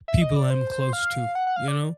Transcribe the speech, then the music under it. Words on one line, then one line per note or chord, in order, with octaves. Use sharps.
people I'm close to, you know?
E5
D#5
D5
C5
C5
F5
F#5
F#5
F5
D5